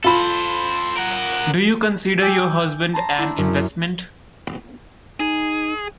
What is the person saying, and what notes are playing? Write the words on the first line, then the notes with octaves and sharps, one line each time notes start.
Do you consider your husband an investment?
F4 A4 C5 B5
A#4 F#5
G5 G#5 D6 E6 G6
A5 A#5 C6
D4 E4
F#2
D#4 G#4